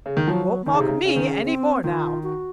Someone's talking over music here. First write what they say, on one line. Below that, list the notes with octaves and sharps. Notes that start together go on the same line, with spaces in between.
You won't mock me any more now!'
C#3
D#3
F3 F#3
D#3 D#4
C#3
C3
C#3
C#3 C#4
D#3
C#3
C4
D#3 F4
F#4